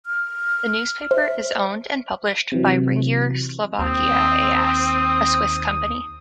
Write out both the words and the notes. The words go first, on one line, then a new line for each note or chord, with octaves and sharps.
The newspaper is owned and published by Ringier Slovakia a.s., a Swiss company.
F6
C5 E5
C3 E3 F#3
D#2 C4 D#6